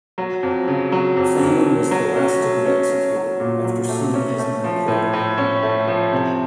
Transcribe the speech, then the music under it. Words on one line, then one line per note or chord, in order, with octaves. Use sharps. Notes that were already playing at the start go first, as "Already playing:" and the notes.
Fannin was the last to be executed, after seeing his men killed.
F#3
F2
C#3
F#3
F2
F2
F2
F#3
C#4
A3
C#4
C#4
F#3
A#2
F#3
A3
C#4
A3
F3
A2
A2
C#4
A3
F3
C3